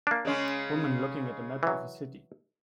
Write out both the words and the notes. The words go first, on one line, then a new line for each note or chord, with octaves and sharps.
Woman looking at a map of a city.
A#3 D4
C#3 G#3 C#4
E3 F#3